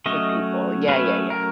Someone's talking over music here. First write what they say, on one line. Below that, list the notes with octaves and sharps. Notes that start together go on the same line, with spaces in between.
The people. Yeah, yeah, yeah
F#3 A3 C#4 D#5
F#3 A3 C#4 B4
A#4